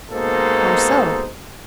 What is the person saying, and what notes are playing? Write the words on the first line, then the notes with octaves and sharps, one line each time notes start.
"How so?"
B2 G#3 A#3 D#4 A4 C5